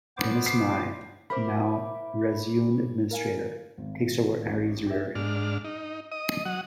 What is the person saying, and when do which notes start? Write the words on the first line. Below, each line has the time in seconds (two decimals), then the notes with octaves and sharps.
Denys Nye, now Reseune Administrator, takes over Ari's rearing.
0.17 B3 C5 D6
0.46 C7
1.30 A#4 C5 E5 B5 D6
3.11 A#4 F5 G#5
3.78 G#1
4.47 A1
4.86 G4 E5
5.15 G#2 D4 F6
5.65 D#4
6.12 D#5 D#6
6.46 F#3 F#5 D#6